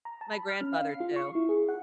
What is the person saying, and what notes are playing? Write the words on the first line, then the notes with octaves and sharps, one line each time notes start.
My grandfather too.
A#5
A5
B5
F6
C#4
F5
C7
F4
C#6
E4
G#4
F#5